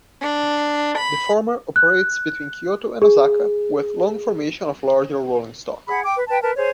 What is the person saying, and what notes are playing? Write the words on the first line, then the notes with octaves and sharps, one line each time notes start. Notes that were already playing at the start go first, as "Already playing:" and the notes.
The former operates between Kyoto and Osaka with long formation of larger rolling stock.
D4
B5
F#6
G#4
G#4 F#5 B5
G5 D6
B4
B4 G5 A5
A#4 B4 A5
G#4 C5 C#5